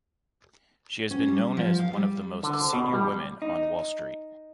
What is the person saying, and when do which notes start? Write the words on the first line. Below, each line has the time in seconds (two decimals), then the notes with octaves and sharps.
She has been known as one of the most senior women on Wall Street.
1.11 C#4
1.28 G3
1.57 F3
1.79 F5
1.93 G3
2.43 D3
2.61 C5
2.73 B2
2.93 G3
3.42 D#4